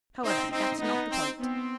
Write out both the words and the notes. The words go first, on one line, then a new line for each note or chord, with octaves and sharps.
However, that's not the point.
C4 D#4
C4 D#4
B3 D#4
C4
B3 C4